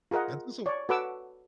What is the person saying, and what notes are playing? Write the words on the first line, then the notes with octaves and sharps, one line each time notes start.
That's also
F4 G#4 A#4 D#5 F#5
C#5 D5
F#4 A4 B4 F#5 D6 E6